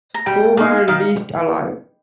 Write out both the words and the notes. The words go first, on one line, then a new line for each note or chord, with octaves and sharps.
Four were released alive.
A#5
G3 G5
A#3 D#4 F5
D#3 F5